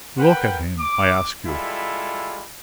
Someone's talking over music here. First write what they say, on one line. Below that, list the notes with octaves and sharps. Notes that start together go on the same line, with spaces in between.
Look at him, I ask you!
A#4 B4 F#5 G5
D6
G3 G#3 E4 F4 A4 B5